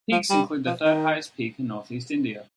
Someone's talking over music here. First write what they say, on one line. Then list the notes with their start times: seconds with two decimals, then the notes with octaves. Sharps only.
Peaks include the third highest peak in northeast India.
0.12 F3
0.30 G3
0.67 F3
0.85 D#3